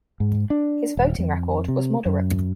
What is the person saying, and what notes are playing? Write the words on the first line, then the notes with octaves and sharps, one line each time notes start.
His voting record was moderate.
G#2
D4
D#1
F2
C3
F#2